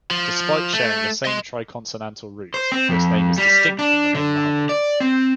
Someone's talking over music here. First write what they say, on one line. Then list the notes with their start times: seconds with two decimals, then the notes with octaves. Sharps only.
Despite sharing the same triconsonantal root, this name is distinct from the name "Muhammad".
0.11 F3
0.73 A3
1.25 D#5 C6
2.54 C5
2.72 C4
2.89 F2
3.38 G3
3.79 D4
4.15 D3
4.69 D5
5.00 C4